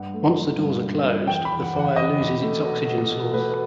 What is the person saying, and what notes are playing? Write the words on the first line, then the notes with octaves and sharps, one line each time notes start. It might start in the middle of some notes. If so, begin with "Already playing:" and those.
Once the doors are closed, the fire loses its oxygen source.
Already playing: G2 F#5
A3
A3
G2
G2
G2
E2 G5
B5
E2
F#5
E2
F#5
E2 D#5
E2
A3
B2
B2
B2
A3 B4